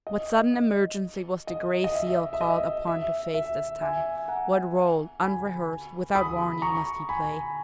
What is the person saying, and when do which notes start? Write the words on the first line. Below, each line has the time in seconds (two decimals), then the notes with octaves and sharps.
What sudden emergency was the Gray Seal called upon to face this time--what role, unrehearsed, without warning, must he play?
0.07 D#5
0.54 D#5
1.47 D#5
1.84 D#5
1.95 E5
2.33 E5
2.41 D#5
2.88 E5
3.34 E5
3.81 E5 G#5
4.28 F#5 A#5
5.22 G#5 B5
6.15 B5 D#6
6.62 A#5 C#6
7.09 G#5 B5